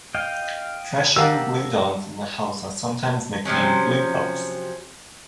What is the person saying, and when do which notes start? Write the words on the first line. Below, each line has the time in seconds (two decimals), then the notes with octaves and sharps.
Freshman Blue Dogs in the House are sometimes nicknamed "Blue Pups".
0.15 D#5 F5 G5
1.16 G4 A#4 D#5 F5 F#5 A5 A#5 E6
3.45 C3 F3 F#3 C#4